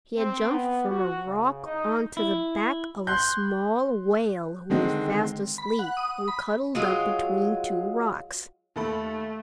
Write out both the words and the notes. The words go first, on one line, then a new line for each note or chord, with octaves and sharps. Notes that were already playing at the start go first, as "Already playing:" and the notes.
He had jumped from a rock onto the back of a small whale who was fast asleep and cuddled up between two rocks.
C4
B3
F#4
C#3
D#4
E4
C6 F#6 G6
D3 D#3 G#3 C4
B5
F#5
D#6
B5
F#3 G#3 F4
D#2 A3 A4 B5